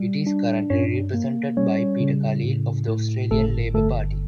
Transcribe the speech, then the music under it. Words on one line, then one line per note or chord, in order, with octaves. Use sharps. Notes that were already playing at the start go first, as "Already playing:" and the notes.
It is currently represented by Peter Khalil of the Australian Labor Party.
Already playing: G3
D4
G2 C#4 C#5
A#3
G3 C#4 C#5
C#3
A2
A2
G1 A3 A4
G1 A3 A4